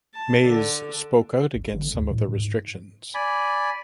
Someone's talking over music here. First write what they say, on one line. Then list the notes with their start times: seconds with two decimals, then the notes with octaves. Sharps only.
Maes spoke out against some of the restrictions.
0.15 A5
0.45 D3
1.56 G#1
1.75 D3
1.94 D2
2.11 A2
2.28 G#2
3.14 D5 G#5 B5